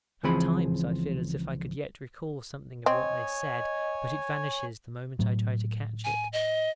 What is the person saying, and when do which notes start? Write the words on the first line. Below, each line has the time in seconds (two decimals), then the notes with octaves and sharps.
At times I feel as if I could yet recall something of what they said, but it vanishes the moment I try to catch it.
0.23 C#2 E3 F3 C4 G#4 B5
2.86 C4 C#5 D#5 G#5
5.19 A2 F#3
6.04 G#5
6.33 D#5